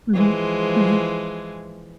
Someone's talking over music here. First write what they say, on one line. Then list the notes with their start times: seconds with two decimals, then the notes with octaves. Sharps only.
Mhm, mhm.
0.14 E3 F3 G#3